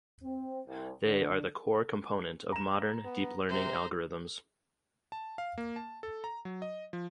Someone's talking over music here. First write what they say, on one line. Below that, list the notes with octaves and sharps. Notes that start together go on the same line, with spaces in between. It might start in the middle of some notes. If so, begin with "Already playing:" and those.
They are the core component of modern deep learning algorithms.
C4
C2
D3
A#5 E7
B3
C3 C5 A#5
A5
F5
A#3
A5
A4
A#5
F#3
D#5
F3